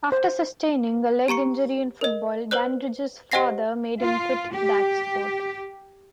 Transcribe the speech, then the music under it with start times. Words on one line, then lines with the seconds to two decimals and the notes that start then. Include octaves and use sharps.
After sustaining a leg injury in football, Dandridge's father made him quit that sport.
0.12 C5
1.28 G4 A#5 C#6 C#7
2.01 A#4 D#5
2.51 B4 C5 D5 F#6
3.32 G4 C5 D#5 F#5 A#6 C7
4.01 F4
4.54 G4